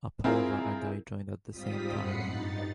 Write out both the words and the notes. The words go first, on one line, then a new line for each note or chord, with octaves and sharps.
Apurva and I joined at the same time.
C4 E4 F4 G#4 A#4
G#2 G3 C4 F4 D#6 B6
F#2 A2 F#5 B5 C7 C#7
G2 D#4 A6